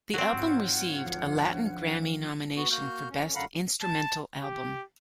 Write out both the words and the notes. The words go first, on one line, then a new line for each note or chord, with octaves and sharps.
The album received a Latin Grammy nomination for Best Instrumental Album.
F#3 C4
G#2 F4 C#5 F#5
D2 D3 F3
E3 F5
B3 F#4
A#3 F#4 F6 G6
F2 C#4
F#2 D3 F5 F#5 A#5 B5
A5
G4